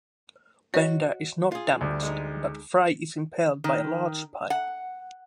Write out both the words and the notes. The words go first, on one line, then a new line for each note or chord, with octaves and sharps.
Bender is not damaged, but Fry is impaled by a large pipe.
F#4 C#5 D#5
F4 G#4
D2 G3
G#3 D#4
D#3
F#5